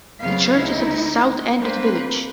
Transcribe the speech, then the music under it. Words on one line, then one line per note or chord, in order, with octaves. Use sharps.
The church is at the south end of the village.
F2 C#3 F#3 B3 F5
D2 D#4 E4
A#3 C4 D4 B4 C5